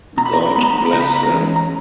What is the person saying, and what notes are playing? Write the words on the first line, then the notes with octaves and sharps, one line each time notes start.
God bless them.
B2 A#5
B5
A#5
B5
A#5
G#3 B3 B5
A#5
B5
A#5
B5
C#3 A#5
B5
A#5
B5
A#5
E3 G#3 C#4
A#5